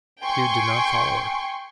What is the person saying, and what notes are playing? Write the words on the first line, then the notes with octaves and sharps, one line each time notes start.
Jude did not follow her.
G5 G#5 C6 C#6